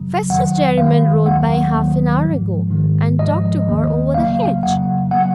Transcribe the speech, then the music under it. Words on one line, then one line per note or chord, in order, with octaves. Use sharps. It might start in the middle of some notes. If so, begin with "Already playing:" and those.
'Festus Derriman rode by half-an-hour ago, and talked to her over the hedge.'
Already playing: F#2 C#3 F#3
F2 D#3 F#3 F#5
F#2 D#3 G#3 F5
D#2 D#3 F#3 A#3 F#5
D#2 D#3 F#3 A#3
G#2 F3 G#3
G#2 D#3 G#3
G#2 F3 G#3 D#5
D#2 D#3 A#3
C#2 C#3 F#3 A#3 F5
F2 C#3 F#3 A#3 F#5
C#3 F#3 A#3 F#5